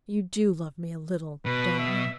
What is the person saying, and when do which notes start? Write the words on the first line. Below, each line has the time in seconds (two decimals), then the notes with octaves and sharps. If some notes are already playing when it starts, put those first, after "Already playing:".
You do love me a little, don't you?
1.46 B2 B4
1.79 E5